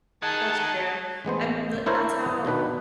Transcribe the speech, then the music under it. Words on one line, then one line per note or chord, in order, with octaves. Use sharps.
That's true. I'm the that's how
D#4 G#4 A#4 F#5 A5
A1 G#3 B3 C5
D4 E4 A#4 C5 C#5
B2 D#3 D4 B4